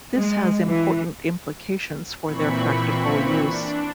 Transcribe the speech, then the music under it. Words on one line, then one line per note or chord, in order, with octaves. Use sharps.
This has important implications for their practical use.
G#3
E3
A#2 E3 C4 B5 C#6
D4